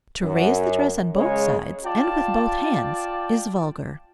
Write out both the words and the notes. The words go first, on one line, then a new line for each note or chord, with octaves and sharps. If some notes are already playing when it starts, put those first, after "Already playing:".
To raise the dress on both sides, and with both hands, is vulgar.
F#2
C#3 G#3 C#5
F4 D5 G5 A5